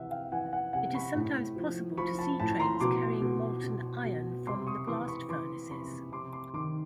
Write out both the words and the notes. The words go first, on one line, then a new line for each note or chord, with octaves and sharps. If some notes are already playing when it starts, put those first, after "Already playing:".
It is sometimes possible to see trains carrying molten iron from the blast furnaces.
Already playing: C3 E3 E5 F#5
F5 G5
E3 F#5 G#5
F#5 G#5
C3 F#5 G#5
B5 C#6
A2
F3
F3 B5 C#6
A5 B5
A2 A5 B5
A#5 C6
B2 C6 D6
B2
B2
B2
C3 C6 D6
C#6 D#6
E3 C6 D6
B5 C#6
E3 C6 D6
C3 B5 C#6
C3 C6 D6
C6 D6
D#3 C6 D6